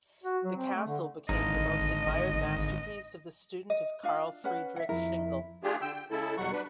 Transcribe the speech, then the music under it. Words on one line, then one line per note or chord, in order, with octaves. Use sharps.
The castle became the most admired masterpiece of the student of Karl Friedrich Schinkel.
F#4
F#3
C4
A3
D3
G#1 D3 A#3 D#4 D#5
D#5
D4 F4 F5
C#4 B4 F#5
E5 F#5
F2 E4 A#4
A3 D4 F4 G4 G#4
D3 G5 E6
G5
C#3 G#3 E4 A4
E2 B2 F#3 G3 F#5 C#6
D4 B4